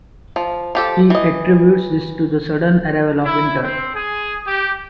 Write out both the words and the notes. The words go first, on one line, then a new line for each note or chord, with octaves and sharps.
He attributes this to the sudden arrival of winter.
F3
F3 G4 A4
E3 D#5
E4
C4
G#4
G4